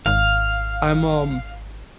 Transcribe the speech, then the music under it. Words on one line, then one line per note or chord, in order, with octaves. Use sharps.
I'm, um
G#1 F5